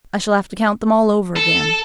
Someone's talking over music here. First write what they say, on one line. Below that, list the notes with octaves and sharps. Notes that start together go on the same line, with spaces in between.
I shall have to count them all over again.
A4